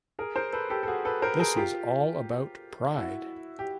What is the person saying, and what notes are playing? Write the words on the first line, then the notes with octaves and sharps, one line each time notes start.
This is all about pride.
G#4 A#4
A#4 C5
A4 B4
G4 A4
A4
F#4 G#4
A4 B4
A#4 C5
G#4 A#4
F4 G4
E4 F#4
G4